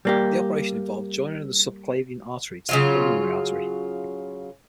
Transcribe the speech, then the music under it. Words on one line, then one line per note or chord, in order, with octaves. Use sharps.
The operation involved the joining of the subclavian artery to the pulmonary artery.
G3 A#3 G4
C#3 F#3 F4